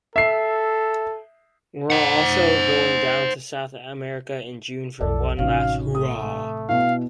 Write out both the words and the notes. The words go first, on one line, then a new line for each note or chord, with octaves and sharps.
We're also going down to South America in June for one last hoorah.
A4 E5 C7
C5 F#5
B1 F2 A4 D5
A1 C3 C#4 D#4 F#4 F5
A3 D#6
B2 B3 E4 F5